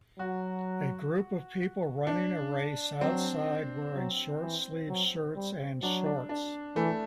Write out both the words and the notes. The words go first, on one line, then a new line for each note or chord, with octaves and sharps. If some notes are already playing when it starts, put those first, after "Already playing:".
A group of people running a race outside wearing shortsleeve shirts and shorts.
F#3 F#4
D4
F#3 C4
F#3
E3
F#3
G3
F#3 D4
D4
D4
E3 A3